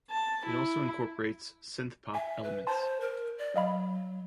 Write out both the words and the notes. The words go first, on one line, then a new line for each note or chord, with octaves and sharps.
It also incorporates synthpop elements.
A5
E4
E5 G#5
B4
C5 A5 C6
A#4
D5
F#3 D#5 F5 B5